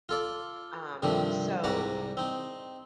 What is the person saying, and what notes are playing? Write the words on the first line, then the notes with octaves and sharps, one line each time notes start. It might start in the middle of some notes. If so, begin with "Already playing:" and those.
Um, so,
F4 A4 D5
G2 C3 D#3 F3 G3 A3
C2 G#2 G3 F#5 A#5 D6
C4 D#4